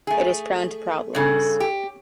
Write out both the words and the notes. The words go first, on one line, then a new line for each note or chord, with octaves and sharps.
It is prone to problems.
A3 G#4
G2 C#3 A4
G4